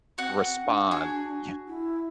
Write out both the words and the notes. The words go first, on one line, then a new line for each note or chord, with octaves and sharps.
respond yeah
C4 F#4 F#5
D4
F#4 G#4
E4